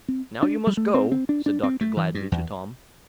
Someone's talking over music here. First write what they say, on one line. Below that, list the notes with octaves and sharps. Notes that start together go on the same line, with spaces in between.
"Now you must go," said Dr. Gladby to Tom.
C4
D4
G3
A3
C4
C4
D4
D4
C4
A3
E3
G2
E2